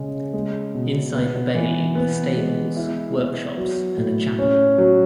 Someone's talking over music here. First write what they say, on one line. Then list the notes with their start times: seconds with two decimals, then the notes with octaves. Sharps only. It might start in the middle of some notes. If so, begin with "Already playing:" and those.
Inside the bailey were stables, workshops, and a chapel.
Already playing: C#3 G#3
0.33 G#3
0.74 B2
1.14 B3
1.55 E3
1.95 B3
2.36 G#3
2.76 E4
3.17 B3
3.58 F#3
3.97 A2
4.39 C#4
4.78 F#3